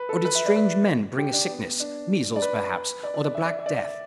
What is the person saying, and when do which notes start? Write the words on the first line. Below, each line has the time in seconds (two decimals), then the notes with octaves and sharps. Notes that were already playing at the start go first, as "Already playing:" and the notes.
Or did strange men bring a sickness--measles, perhaps, or the black death?
Already playing: B4
0.09 A4
0.25 B4
0.35 E5
0.46 D5
0.56 B4
1.18 G4
1.33 D4
1.49 B3
1.80 D4
2.36 D5
2.42 B4
3.03 D5
3.14 D5
3.24 D5
3.35 E5
3.45 D5
3.59 E5
3.66 D5